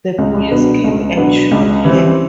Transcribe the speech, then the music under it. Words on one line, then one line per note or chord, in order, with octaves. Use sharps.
The police came and shot her.
C#2
B2 F#3 B3 D4
C#2
B2 F#3 B3 D4
C#2
C#3 E3 G3 C4